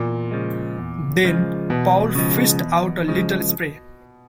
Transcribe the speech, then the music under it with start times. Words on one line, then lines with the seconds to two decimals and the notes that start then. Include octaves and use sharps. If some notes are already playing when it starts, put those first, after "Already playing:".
Then Paul fished out a little spray.
Already playing: E2 A#2
0.31 C#3 F3 G#3
0.78 E2
1.24 C#3 F3 G#3
1.69 E2 B2
2.15 C#3 F3 G#3
2.61 E2
3.08 C#3 F3 G#3